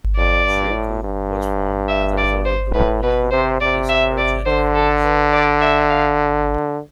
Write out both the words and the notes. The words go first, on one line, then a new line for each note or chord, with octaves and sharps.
Shir Kuh was formed as a result of the plutonism of this orogenic phase.
F2 D5
G2
A2
G2
E5
D5
C5
A2 B4
B2 B4
C3 C5
C3 D5
E5
D5
D3 C5
A4
B4
D5
E5
F5